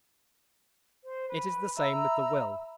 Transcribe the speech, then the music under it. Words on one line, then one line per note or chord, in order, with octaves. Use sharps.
It is the same with the will.
C5
B4
E5 A#5 B5 E6